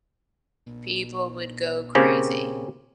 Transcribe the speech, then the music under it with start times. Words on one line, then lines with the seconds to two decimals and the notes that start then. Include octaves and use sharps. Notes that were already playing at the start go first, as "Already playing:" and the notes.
People would go crazy.
1.95 C#3 A#3 C4 C#4 G4